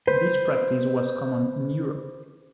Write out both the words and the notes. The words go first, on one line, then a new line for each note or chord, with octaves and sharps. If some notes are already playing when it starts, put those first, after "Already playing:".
This practice was common in Europe.
B4 C5